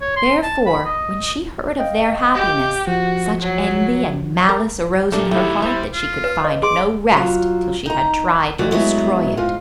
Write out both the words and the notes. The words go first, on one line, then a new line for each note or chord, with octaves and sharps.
Therefore when she heard of their happiness, such envy and malice arose in her heart that she could find no rest till she had tried to destroy it.
C#5
C6
A5
B5
D#5
D#5 F5 G5
G4
F3 F#4
F#3
A#4
A#2 A3 D4 G4
D#3 F#3 A3 E4
G3 C5 E5
F4
B4
D#5
G#4 C6 D6
F#3 F4
D#4 A#5
F2 E3 A3 F#4 D5
F#3 G#3 B3 E4
G#2 F4